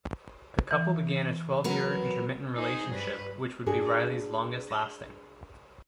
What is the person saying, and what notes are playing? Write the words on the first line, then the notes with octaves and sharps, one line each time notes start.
The couple began a twelve-year intermittent relationship which would be Riley's longest lasting.
E3
F#3 A#4 B4
D#4 G#4 C5
G2 B4
D4 F#4 G#4 A#4